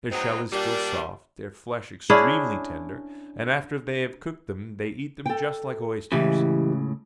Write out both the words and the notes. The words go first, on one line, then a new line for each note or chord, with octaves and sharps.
Their shell is still soft, their flesh extremely tender, and after they have cooked them they eat them just like oysters.
F#3 G#3 B3 C4 D#4
A#2 G3 D4
C#4 D4 E4 G#4
A4 G5
C#2 A2 C#3 E3 G4